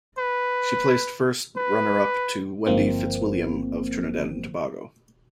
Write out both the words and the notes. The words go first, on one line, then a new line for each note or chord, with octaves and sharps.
She placed first runner-up to Wendy Fitzwilliam of Trinidad and Tobago.
B4
B4
G1 F3 A#3 C4